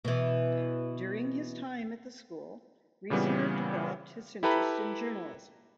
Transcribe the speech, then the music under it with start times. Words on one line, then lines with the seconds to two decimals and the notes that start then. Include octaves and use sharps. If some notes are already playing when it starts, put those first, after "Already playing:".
During his time at the school, Reasoner developed his interest in journalism.
0.05 B2 E3
3.10 A#2 C#3 E3 G3 B3
4.43 E4 G4 A4 B4 A#5 B5